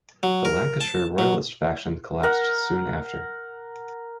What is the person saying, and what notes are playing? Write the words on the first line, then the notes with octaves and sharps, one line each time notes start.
The Lancashire Royalist faction collapsed soon after.
F#3
A#4
A5
F#3
A#4 F#5